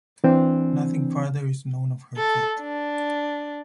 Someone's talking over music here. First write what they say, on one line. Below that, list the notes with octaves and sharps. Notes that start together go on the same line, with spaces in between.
Nothing further is known of her fate.
E3 C4 D4
A4
D4